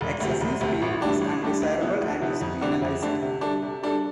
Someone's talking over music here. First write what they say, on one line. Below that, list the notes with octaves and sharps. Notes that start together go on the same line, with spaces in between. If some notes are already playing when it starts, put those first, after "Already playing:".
Excessive speed is undesirable and is penalized.
E1
D2 C3
E1
D2 C3
A1
A2 G3 D4 G4
A1
A2 G3 D4 G4
D2
C3 F3 B3 E4
D2
C3 F3 B3 E4
F2
D3 A3 D4 G4
F2
D3 A3 D4 G4
C3
G3 D4 A4
C3
G3 D4 A4